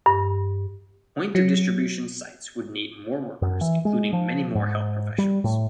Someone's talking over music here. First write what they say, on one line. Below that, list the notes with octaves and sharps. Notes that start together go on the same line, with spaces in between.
"Point of distribution" sites would need more workers, including many more health professionals.
G2
F#3
F#2
E3
G#3
F3
G#2
G3
A2